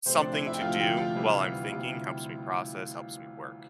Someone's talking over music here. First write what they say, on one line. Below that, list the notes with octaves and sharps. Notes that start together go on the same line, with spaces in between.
something to do while I'm thinking helps me process, helps me work.
D2 C3 F3 A3 C4 C5
D4 D5
E4 E5
E4 E5
G5
D2 C3 F3 A3 F4 F5
G4 G5
F4 F5
D2 C3 E3 G3
D2 C3 E3 G3